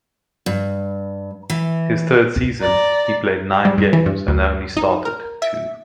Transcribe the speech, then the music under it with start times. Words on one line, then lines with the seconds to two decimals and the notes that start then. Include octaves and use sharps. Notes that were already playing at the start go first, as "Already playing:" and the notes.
His third season he played nine games and only started two.
0.46 G2
1.50 E3
2.60 D5 A#5
3.65 G3
3.78 G2
3.93 E3
4.06 G2
4.28 D2
4.77 D#4
5.05 A#4
5.42 E5